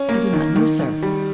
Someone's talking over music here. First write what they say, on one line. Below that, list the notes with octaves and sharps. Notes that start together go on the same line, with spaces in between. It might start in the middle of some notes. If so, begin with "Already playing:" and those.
"I do not know, sir."
Already playing: C#4
A#3
D#3
D#3
D#3
G3